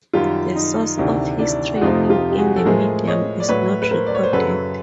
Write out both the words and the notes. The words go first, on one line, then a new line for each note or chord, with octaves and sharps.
The source of his training in the medium is not recorded.
F#2 D#3 G3 F4 G4
D#4
D2 C3 D#3 D4 E4
D4 E4
F#4
F2 C3 F3 D#4 F4
F4 G4
G4
F#4 G#4
A4
A2 F3 G#3 G#4 A#4
C#5 D#5
D5
A2 F#3 B4 C#5
B4
A#4 C5
D5
C#5
C5
F#2 C#3 F#3 A4 B4